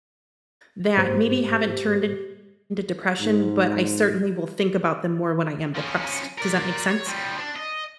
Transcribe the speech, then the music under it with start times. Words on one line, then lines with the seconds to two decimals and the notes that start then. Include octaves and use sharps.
that maybe haven't turned into depression, but I certainly will think about them more when I am depressed, does that make sense?
0.97 G#2 A#3 G4 C5
3.21 G#2
5.75 F3 C#4
6.38 A#4 D5
6.90 C#5
7.06 F3 G3
7.38 D4
7.56 D#5